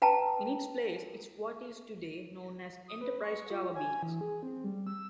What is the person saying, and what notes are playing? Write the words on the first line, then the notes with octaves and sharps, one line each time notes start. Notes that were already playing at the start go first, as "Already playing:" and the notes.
In its place is what is today known as Enterprise JavaBeans.
B4 G5 A5 A#5
D#6
B4
C#6
F4
G#5
E3
G#4
C4
G3
E6